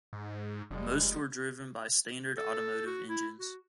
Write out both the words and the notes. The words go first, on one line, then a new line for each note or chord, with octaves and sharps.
Most were driven by standard automotive engines.
G#2
F1 G3 G#3
A4
F#4
E4
F#4